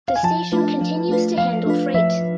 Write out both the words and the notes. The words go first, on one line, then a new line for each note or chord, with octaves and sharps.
The station continues to handle freight.
F5
G#5
F3 A5
A3 D4 F4 B4
F3
A3 D4 F4 B4
F3 F5
A3 D4 F4 B4
F3 E5